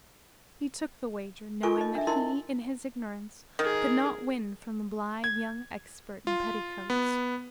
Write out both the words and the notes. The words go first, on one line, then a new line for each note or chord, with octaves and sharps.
He took the wager, knowing that he, in his ignorance, could not win from the blithe young expert in petticoats.
F4 A4 A#4 G#5 C#6
D#4 D#5
D4 E5
D#4 E4 A#4 D#5 C6
D#3 G#4 A#4
G#6
F4
B3